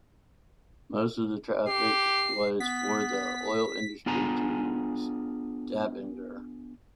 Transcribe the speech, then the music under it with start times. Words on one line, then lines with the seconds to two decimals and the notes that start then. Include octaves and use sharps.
Most of the traffic was for the oil industry to Stavanger.
1.68 G4 C7
2.60 B3 B6
4.06 B3 D4 F4 G#4 G#5 A#5